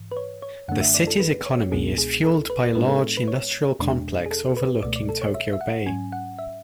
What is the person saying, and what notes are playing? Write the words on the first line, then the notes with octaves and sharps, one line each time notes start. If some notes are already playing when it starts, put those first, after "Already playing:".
The city's economy is fueled by a large industrial complex overlooking Tokyo Bay.
Already playing: G#2 E3
B4
C#5
C#5
F#2 D3 A3 D4 F#5
E5
D5
A4
B4
C#5
C#2 B2 G#3 B3 D4 G#4
G#4
A4
B4
A2 G#3 B3 D4 B4
A4
B4
C#5
E2 B2 G#3 D4
G#4
A4
B4
C#2 B2 A3 D5
D5
A4
C#5
E5
E5
F#5
G#2 F#3 C#4 G#5
F#5
E5